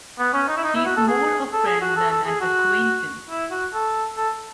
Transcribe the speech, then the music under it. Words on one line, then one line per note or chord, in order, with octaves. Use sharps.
She is more a friend than an acquaintance.
B3
C#4
D#4
E4
D#4
E4
F#4
A4
G#4
A4
G#4
F#4
A4
A4
G#4
F#4
E4
F#4
A4
A4